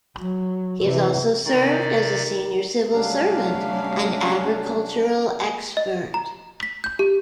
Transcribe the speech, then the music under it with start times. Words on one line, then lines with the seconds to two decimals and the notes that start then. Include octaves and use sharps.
He has also served as a senior civil servant and agricultural expert.
0.18 F#3
0.82 C3 E3
1.46 C3 D#3 D5
2.93 C3 F#3 G3 A3 C#4 D4 F5
5.77 D#5
6.14 A#5
6.63 B6
6.84 G6
6.99 G4